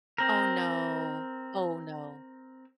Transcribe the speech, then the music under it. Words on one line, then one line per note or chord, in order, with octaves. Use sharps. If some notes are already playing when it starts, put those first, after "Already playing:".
Oh, no. Oh, no.
C4 A#4